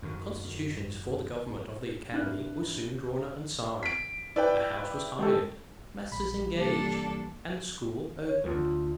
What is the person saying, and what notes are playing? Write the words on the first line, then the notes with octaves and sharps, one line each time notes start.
The constitutions for the government of the academy were soon drawn up and signed, a house was hired, masters engaged, and the school opened.
F#2 D#3
G#1 G2 E4 F6 F#6
B6 D7
E4 B4 D5 G5
G#3 G4 A4
A#1 B5
C2 E3 G3 A#3 D4 A4
C#5
D2 F4